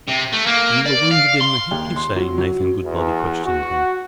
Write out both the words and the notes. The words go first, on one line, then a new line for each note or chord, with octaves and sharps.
"You were wounded in the hip, you say," Nathan Goodbody questioned him.
C3
A3
A#3
D5
F5
C6
D#2
C6
F#3
F#3
E2
F#4